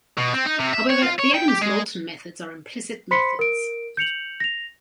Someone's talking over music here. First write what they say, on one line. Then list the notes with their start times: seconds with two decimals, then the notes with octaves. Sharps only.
However, the Adams-Moulton methods are implicit methods.
0.18 B2
0.34 C4
0.46 D#4
0.60 C3
0.74 E5
0.90 C#5
1.03 F4
1.19 C#5
1.35 G5
1.48 G4
1.61 G#3
3.11 C5 B5 C6 B6 C#7
3.39 A#4 D7
3.97 G6 C#7 F7 F#7
4.40 A#6 F7